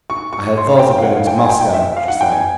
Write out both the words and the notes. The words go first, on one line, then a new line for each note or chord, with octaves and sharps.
"I had thought of going to Moscow," she said.
C#6
C#6
C6
G5
F5
F#5
F5
G5
G#5
G5
G5
E5
F5
F#5
G5
G#5